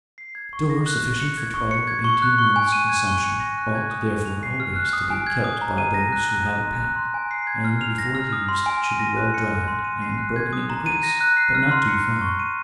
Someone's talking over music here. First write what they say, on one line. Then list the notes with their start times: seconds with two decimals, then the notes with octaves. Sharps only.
Store sufficient for twelve or eighteen months' consumption ought, therefore, always to be kept by those who have a pack; and before used should be well dried, and broken into grits, but not too fine.
0.18 C7
0.35 G#6
0.53 C#6
0.70 A#6
0.86 F#6
1.04 C#6
1.20 C#7
1.37 G#6
1.54 C#6
1.71 C#7
1.87 G#6
2.04 C#6
2.22 F#6
2.38 C#6
2.56 G#5
2.72 D#7
2.89 G#6
3.07 C#6
3.23 C#7
3.40 A#6
3.58 F#6
3.75 G#6
3.91 D#6
4.08 G#5
4.25 F7
4.43 C7
4.60 F6
4.76 F#6
4.93 D#6
5.10 G#5
5.27 G#6
5.44 D#6
5.62 A#5
5.78 D#7
5.94 A#6
6.12 F#6
6.29 F#6
6.46 D#6
6.62 C6
6.80 F#6
6.96 C6
7.14 G#5
7.31 C7
7.47 G#6
7.65 F6
7.81 F7
7.98 A#6
8.15 F6
8.33 D#6
8.49 C6
8.66 G#5
8.84 D#7
8.99 A#6
9.16 F#6
9.34 C#7
9.51 F#6
9.68 C6
9.84 D#7
10.02 C7
10.18 F#6
10.36 G#6
10.53 D#6
10.70 A#5
10.86 D#7
11.03 A#6
11.21 F#6
11.37 C7
11.55 F6
11.71 C6
11.88 C#7
12.05 F#6
12.21 C#6
12.40 D#7